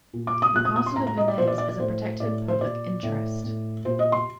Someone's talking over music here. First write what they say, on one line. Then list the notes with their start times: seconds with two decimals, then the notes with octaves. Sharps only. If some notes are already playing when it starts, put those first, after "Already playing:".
The Castle of Vinhais is a protected public interest.
0.13 A#2
0.27 D6
0.42 D#6
0.55 A#2 F#6
0.65 D#6
0.76 D#6
0.86 C6
0.96 A2 A#5
1.07 A#5
1.18 D#5
1.28 D5
1.37 A#2 C5
1.48 D5
1.58 D5
1.69 D5
1.79 A2 C5
2.20 A2 D5
2.48 C5
2.61 A#2 D5
3.03 A2
3.44 A2
3.85 A#2 C5
3.99 D#5
4.12 C6